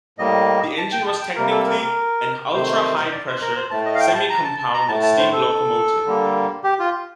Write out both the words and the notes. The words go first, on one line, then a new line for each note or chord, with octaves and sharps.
The engine was technically an "ultra-high pressure, semi-compound steam locomotive".
A2 G3 A#3 D#5
A5
G5
A5
G5
C3 G3 A#3 A#4
A4
A#4
A#4
C3 D#3 A3 C5
D5
C5
A#4
C5
A2 A3 A5
D#5
F5
G5
A5
A#5
A5
A5
A#5
A2 A3 A5
A5
C5
A4
D3 G3 A#3
G4
F4